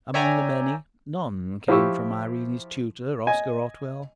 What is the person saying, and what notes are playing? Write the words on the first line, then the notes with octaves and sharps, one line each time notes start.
Amongst the many, none came from Irene's tutor, Oscar Otwell!
C#5 D5 E5 G5 G#5 A#5
F3 E4 G4 C#6 E6
D#5 G#5